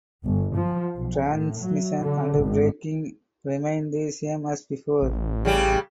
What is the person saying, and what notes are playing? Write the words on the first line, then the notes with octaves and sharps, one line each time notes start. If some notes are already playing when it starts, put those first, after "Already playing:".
Transmission and braking remained the same as before.
G1
F3
B1
A2
F#3
D3
G#1
A1
C#3 G3 G4